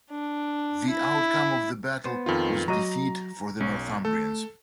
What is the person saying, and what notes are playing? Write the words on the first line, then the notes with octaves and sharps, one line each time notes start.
The outcome of the battle was defeat for the Northumbrians.
D4
E4
B3 C5
F2 D#3 F4
F#3 F#4 D#5 A#5
B1 C#4
A3 A4